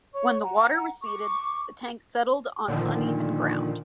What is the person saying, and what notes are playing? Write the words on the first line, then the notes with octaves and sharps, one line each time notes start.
When the water receded, the tank settled on uneven ground.
C#5 C#6
F#5 A#5
C#6 D6
A#2 D3 D#3 F3